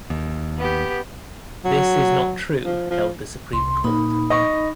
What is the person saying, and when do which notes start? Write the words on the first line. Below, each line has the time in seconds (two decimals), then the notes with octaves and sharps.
This is not true, held the Supreme Court.
0.10 D#2
0.59 B3 G4
1.65 F#3
2.64 F3
2.90 F3
3.53 C2 C6
3.84 A#2 A#3 D#4 B5
4.30 D#5 C#6